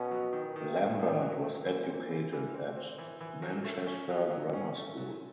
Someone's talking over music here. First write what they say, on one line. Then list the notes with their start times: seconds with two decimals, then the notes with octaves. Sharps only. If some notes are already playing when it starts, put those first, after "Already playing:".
Lambert was educated at Manchester Grammar School.
Already playing: B2 C#4
0.11 F#3
0.33 D#3
0.56 D#3
0.77 A3
0.99 D#3
1.22 F#3
1.43 A3
1.66 A#2 E3
1.89 C4
2.10 E3
2.33 E3
2.54 C4
2.76 C4
2.98 E3
3.21 E3
3.42 F#3
3.64 A3
3.87 C#4
4.10 F#3
4.31 F#3
4.53 C#4
4.76 A3
4.97 F#3